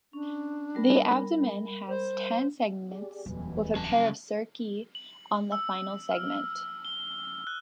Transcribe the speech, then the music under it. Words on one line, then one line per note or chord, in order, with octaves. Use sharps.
The abdomen has ten segments, with a pair of cerci on the final segment.
C#4 D4
G3 A#4 B5
C5
G4 G#4 D5
D#1 F2 E3 F#3 G3
C#3 A5
F#7
E6
F6
G7
F#6